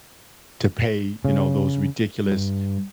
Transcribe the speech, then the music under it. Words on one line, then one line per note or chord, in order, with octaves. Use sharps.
to pay, you know, those ridiculous,
C#3
G2